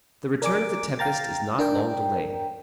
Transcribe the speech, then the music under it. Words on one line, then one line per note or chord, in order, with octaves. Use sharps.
The return of the tempest is not long delayed.
A#4 D5 G#5 D6
F5 G5 A#5 A6
D4 A#4 G5